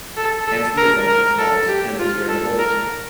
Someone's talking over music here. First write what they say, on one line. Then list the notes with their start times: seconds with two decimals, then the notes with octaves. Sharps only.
Hence the assumption is false and the theorem holds.
0.17 A4
0.47 A4
0.77 A#4
1.07 A#4
1.38 A4
1.68 G4
1.99 F4
2.28 A4
2.58 A#4